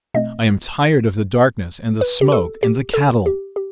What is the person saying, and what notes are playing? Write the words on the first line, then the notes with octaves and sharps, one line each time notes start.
I am tired of the darkness and the smoke and the cattle.
B2 A3 C4 D#5
B4
G4
A4
G4
A4
G4
G4